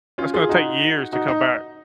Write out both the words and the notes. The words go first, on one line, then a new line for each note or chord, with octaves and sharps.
that's gonna take years to come back.
C#4 F4
F4 G#4
D#4 F#4
D#4 F#4
D#4